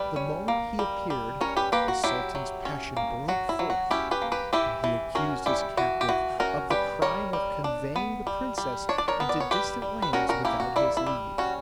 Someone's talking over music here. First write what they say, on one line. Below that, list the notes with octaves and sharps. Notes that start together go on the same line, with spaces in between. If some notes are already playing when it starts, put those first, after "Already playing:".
The moment he appeared the sultan's passion broke forth, and he accused his captive of the crime of conveying the princess into distant lands without his leave.
Already playing: G3 B4 D5
C#4
A#3
G3
G3
C#4 A#4 C#5
G4 B4
A#3 G4 B4
F#4
F#3 E4 G4
F#3
C#4
A#3
F#3 F#4
E4
F#3
F#4
C#4 E4 G4
G4 B4
A#3
G4 B4
E3 E4 G4
E3
C#4 F#4 A#4
G3 E4 G4
E3 F#4
G4
E3 F#4
C#4 F#4 A#4
G3 G4 B4
G3 A#4 C#5
G3
D4
B3
G3
G3
D4 C#5
D5
A#4 C#5
B3
D5
C#5
G3 G4 B4
G3
B4
C#4 F#4 A#4
F#4 A#4
A#3 E4 G4
F#4
G3 E4
E4
G3
C#4 F#4